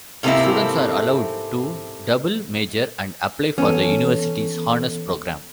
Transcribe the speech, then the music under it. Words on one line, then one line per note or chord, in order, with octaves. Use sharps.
Students are allowed to double-major and apply for the university's honors program.
G#2 C3 A3 A#3 C4 E4
E3 B3 C#4 A4